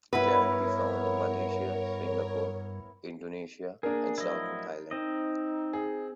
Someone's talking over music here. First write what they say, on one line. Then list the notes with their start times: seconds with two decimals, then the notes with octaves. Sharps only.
It can be found in Malaysia, Singapore, Indonesia and Southern Thailand.
0.13 G2 B3 E4 A#4 B4 C#5
3.83 A#3 D4 G#4 A#4
4.18 A2 F3 F#3 E4 D#5
4.91 C4 D#4 D#5
5.73 G#4